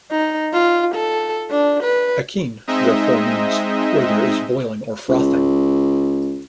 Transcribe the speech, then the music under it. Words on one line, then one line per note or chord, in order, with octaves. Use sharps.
Akean therefore means "where there is boiling or frothing".
D#4
F4
A4
D4
B4
G#3 C4 D#4 D#5 E5
C#2